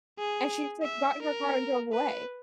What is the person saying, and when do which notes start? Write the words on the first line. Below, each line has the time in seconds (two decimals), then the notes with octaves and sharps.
And she's, like, got in her car and drove away.
0.19 G#4
0.83 E5
1.22 A#4
1.93 B4